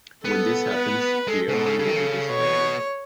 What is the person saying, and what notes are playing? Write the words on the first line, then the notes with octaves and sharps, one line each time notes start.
When this happens, the airline will be disbanded.
B3 A4
B4
G#3 A4
C#3
B2
C#3
C#3
D#3
C#3
B2 C#5